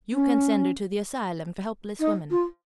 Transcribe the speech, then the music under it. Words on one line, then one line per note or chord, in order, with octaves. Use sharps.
You can send her to the asylum for helpless women.
C#4
D#4
F4